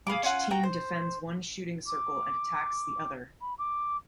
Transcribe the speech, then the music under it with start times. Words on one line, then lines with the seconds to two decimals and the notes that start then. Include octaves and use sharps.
Each team defends one shooting circle and attacks the other.
0.07 G#4 F5 B5 D6
0.23 C#4 F4 F#5
0.51 F#4 F#5 G5 A#5
0.63 C5
1.86 D6
3.41 B5
3.58 D6